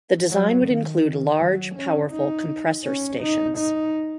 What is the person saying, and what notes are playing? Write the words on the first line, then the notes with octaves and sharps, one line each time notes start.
The design would include large, powerful compressor stations.
F#3
D#3
F#3
C#4
D#4
C#4
D#4
D#4